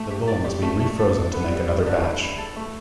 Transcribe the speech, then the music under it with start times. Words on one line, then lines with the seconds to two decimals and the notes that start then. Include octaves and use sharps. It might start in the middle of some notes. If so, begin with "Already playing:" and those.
The bowl must be refrozen to make another batch.
Already playing: A3
0.11 G4
0.28 D5
0.45 G4
0.62 A3
0.80 A3
0.98 A4
1.15 A4
1.34 B3
1.51 G3
1.69 G3
1.86 D3
2.03 E4
2.21 E4
2.38 A4
2.56 A3